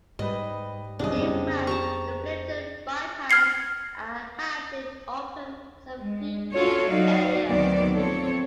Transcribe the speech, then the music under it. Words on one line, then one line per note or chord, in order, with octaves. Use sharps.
In fact, the Plympton bypass had been open some three years earlier.
G#2 G3 B4 D#5
C2 F#2 D4 G4 G#4 D5 D#5
F2 C#3 G3 B3 G#4 C5
G4 A5 A#5 C#6
F6 G#6 C7 C#7
G#3
F4 F#4 A4 C#5
F#3 D#4 F#4 D5 F5
D2 D#3 F#3 B3 C4 D5
F3 C4 A4 C#5